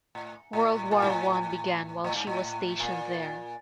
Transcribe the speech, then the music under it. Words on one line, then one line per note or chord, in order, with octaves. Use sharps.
World War One began while she was stationed there.
A2
A2
A#2
G#2
A2
A2
G#2
A2
A#2